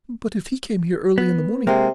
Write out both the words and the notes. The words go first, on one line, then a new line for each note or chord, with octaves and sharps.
But if he came here early in the morning.
B3
C3 G#3 A#3